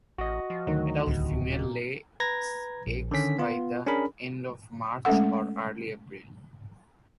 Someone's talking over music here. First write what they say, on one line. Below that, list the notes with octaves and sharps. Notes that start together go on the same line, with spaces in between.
Adult female lays eggs by the end of March or early April.
A1 F#4 D#5
F3
D2 D#3 F#3
D1 C2
A#2
B4 A#5 G#6 A#6
A#1
D3 D#3 C#4 B6
B3 F4
C#4 D4 G#4 A#4 B5
G#3 A3 C#4 A4 F#5